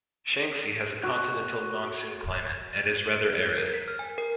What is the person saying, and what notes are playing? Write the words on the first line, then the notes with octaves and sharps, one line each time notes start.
Shanxi has a continental monsoon climate, and is rather arid.
F#4
A#4
B6
F6
G#5
A#4